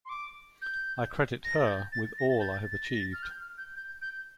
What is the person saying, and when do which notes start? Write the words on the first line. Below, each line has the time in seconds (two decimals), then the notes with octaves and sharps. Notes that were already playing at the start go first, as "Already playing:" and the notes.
I credit her with all I have achieved.
0.05 C6
0.09 D6
0.62 G6
1.44 A#6
1.55 A6
1.66 G6
1.92 A6
2.18 A#6
2.29 A6
2.40 G6
2.51 A6
2.71 A6
2.85 A#6
2.98 A6
3.13 F6
3.23 G6
3.40 F6
3.58 G6
3.75 G6
4.02 G6